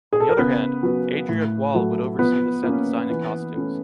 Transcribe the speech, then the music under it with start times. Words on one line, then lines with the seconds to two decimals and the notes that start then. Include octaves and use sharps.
On the other hand, Adrià Gual would oversee the set design and costumes.
0.13 G#4
0.20 A4
0.29 A#4
0.38 C#3 B3 B4
0.83 F#3 B3
1.29 A2
1.74 F#3 A3
2.19 F3 B3 B4
2.63 A#3
2.69 C#4
3.09 E3
3.54 A3 C#4